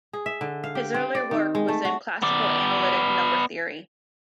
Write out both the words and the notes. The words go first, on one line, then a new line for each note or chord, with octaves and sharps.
His early work was in classical analytic number theory.
G#4
E5
D3
F5
G4
C4
D5
D#3
G#3
A3
F#4
B3 D5